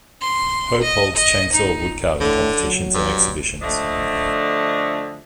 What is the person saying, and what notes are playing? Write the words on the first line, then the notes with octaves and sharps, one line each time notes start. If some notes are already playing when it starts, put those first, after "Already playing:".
Hope holds chainsaw wood carving competitions and exhibitions.
C6
D#5
D#5
D#4
A2 D3
F#3
G2
D3 F3 A3 D4 D#5